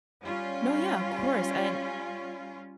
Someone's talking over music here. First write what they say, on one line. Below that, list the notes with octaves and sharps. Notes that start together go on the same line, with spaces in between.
No, yeah, of course and
G3 C#4 F4